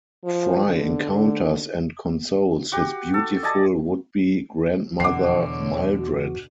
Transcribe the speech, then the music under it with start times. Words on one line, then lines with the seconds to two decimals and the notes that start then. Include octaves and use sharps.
Fry encounters and consoles his beautiful would-be grandmother Mildred.
0.24 F3
0.66 D3
2.72 F#4 G4 D6
3.14 A4
3.43 D5 D#5 G#5 A5
5.00 E2 B2 D3 F#5 D6 C7
5.50 C#5
5.98 F#4